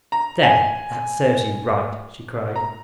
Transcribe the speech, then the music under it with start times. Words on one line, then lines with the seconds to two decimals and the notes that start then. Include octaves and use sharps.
"There! that serves you right," she cried.
0.12 A#5
0.43 G#5
2.56 A#5